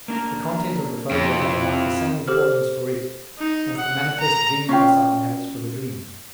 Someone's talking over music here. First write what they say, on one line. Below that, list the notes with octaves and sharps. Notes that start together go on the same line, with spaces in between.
The content of the phobia has about the same importance for it as the manifest dream facade has for the dream.
A#3 D4 A#4 A#5
F2 E4
G4 A4 C5 F6
D#4
F#5
A#5
C#4 F4 G5